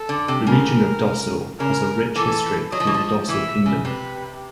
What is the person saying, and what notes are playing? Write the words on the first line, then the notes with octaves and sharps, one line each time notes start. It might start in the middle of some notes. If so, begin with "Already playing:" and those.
The region of Dosso has a rich history through the Dosso Kingdom.
Already playing: A4
D3
C3
C#3 A#4
C#3 A#4
E3 A4
F#3 D#5
F3
E3
F3
E3 E5
C#3
C3 B4